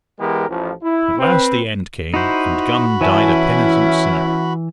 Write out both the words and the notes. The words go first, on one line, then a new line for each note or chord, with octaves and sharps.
At last the end came, and Gun died a penitent sinner.
E3 G#3 B3 G4 G#4 A#4
A1 F3
E4
C4 B4
D#4 E4 F#4 C5 B5
E3 C#4 E4 G#5 A5